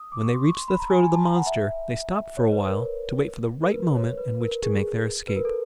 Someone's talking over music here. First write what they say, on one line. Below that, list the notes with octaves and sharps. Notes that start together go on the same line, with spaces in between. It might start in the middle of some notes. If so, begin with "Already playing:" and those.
When they reached the throat of the monster, they stopped for a while to wait for the right moment in which to make their escape.
Already playing: D#6 E6
D6
C#6
C6
C#6
C6
B5
A#5
G#5
G#5
A5
A#5
F#5
E5
C#5
B4
A#4
A#4
B4
C#5
B4
A#4
G#4
B4
A#4
A4